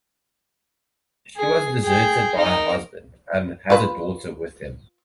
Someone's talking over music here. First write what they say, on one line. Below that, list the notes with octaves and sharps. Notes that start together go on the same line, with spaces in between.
She was deserted by her husband, and has a daughter with him.
G#4
G#4 G5
D#4 A#4
F4 B4